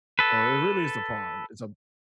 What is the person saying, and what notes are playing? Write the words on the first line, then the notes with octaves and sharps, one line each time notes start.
or really it's a pond it's a
A4 B4